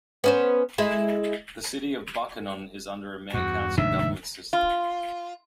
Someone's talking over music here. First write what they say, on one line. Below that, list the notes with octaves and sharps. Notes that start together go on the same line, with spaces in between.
The City of Buckhannon is under a Mayor-council government system.
B3 C#4 C5
G#3 E4
E2 G2 F#4
F1 D#2 G#2 D#3 D4 E5
F4